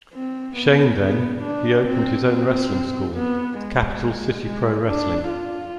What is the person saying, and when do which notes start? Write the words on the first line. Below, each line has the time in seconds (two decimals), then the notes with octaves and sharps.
Shane then, he opened his own wrestling school, Capital City Pro Wrestling.
0.14 C4
0.57 B3
1.00 B3
1.43 D4
1.86 C4
2.29 C4
3.15 B3
3.59 G#3
4.44 G#3
4.87 D4
5.30 F4